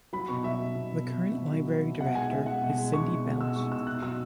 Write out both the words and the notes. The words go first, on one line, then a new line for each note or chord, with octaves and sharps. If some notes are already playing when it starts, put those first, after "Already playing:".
The current library director is Cindy Bellot.
F#3 B5
B2 C#6
F#3 E5
F#3
B2
B2
B2
B2
B2
F#3
F#3
B2
B2 F#5
G#3 G#5
G#3 E5
G#3 F#5
B2
G#3
B2 C#6
B2
B2
G#3 E6
G#3 C#6
B2 E6
B2 F#6
F#3 E6